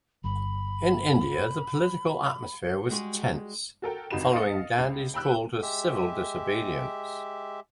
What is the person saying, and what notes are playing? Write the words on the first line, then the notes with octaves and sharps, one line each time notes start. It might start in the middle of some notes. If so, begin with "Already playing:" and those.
In India, the political atmosphere was tense, following Gandhi's call to civil disobedience.
G1 G2 B5
G3 G#3 F#4 G#4
F#4 A4 A#4 G5
G#1 D#4 F#4 B5 E7
D#5 F5 D#6 A6 C#7
C#2
G5 B5 E6 F#6
G#3 G4 E5